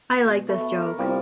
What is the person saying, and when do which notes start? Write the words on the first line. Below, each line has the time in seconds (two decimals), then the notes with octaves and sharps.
I like this joke.
0.25 B2
0.48 A3 A4 B4
0.82 A#4
0.98 C2 F3 G3 A#3